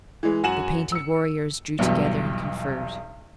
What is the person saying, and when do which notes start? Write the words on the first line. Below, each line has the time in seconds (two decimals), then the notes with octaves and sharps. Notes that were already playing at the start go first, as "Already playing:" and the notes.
The painted warriors drew together and conferred.
0.23 E3 G#3
0.43 F#2 F#4 G#5 E7 F#7
0.92 E6 C#7
1.79 B1 E2 G2 B2